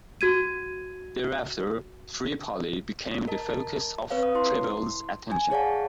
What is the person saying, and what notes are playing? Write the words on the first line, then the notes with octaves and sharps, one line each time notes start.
Thereafter, Tripoli became the focus of Preble's attention.
F#4 G#6 D#7
A#4 D#5 A5
C4 B4 C#5 F5
D#6
E4 C6
G#5
G#4 C#5 D5 F5 F#5 A5